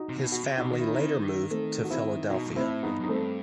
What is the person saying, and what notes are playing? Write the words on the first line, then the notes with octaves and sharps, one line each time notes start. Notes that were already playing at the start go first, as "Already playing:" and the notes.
His family later moved to Philadelphia.
Already playing: D#4 F#4
C3
B2
F#4
C3
D#4 F#4
D#3 F#4
E4
D#4
C4 E4
A3 C4
F#4
C4 E4
B2 D#4 F#4
G2
A2 C4 E4
G2 B3 D#4
F#2 D#4
G2 A3 C4